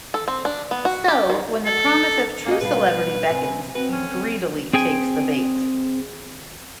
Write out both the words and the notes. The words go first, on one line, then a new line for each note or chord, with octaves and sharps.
So when the promise of true celebrity beckons, he greedily takes the bait.
A4
C4
D4
B3
F#4
G4
D#3
A4
A#3 C#4 A#4 D#5
B2 G3 B4 F5
C3 G#5
C4 F#4 B4
D2 C#4
C4
C4 G#4 G5 G#5